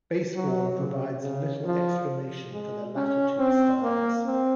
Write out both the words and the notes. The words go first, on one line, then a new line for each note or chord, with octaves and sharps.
Basevorn provides little explanation for the latter two styles.
F#3
C#3
C#3
F3
G#3
C#4
C4
A#3
C4